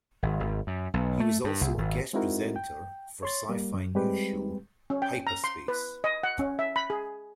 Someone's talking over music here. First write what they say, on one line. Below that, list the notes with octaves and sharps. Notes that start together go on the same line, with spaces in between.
He was also a guest presenter for sci-fi news show "HypaSpace".
G#1
G#1
F#2
B1
A3
G2
C2
G#1
G#3 C4 D#4 E4 F#4 A#4
G5
C#5 C6 A6
G3 A#3
F#2
G3 G#3 C4 G4 B4
C#4
G5
A#5
C6
B4
D#5
F#5
C#4
E5
B5
G#4